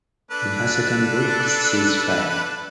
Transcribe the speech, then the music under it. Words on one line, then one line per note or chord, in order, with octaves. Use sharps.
In her second book, Ceasefire!
D4 A4 B4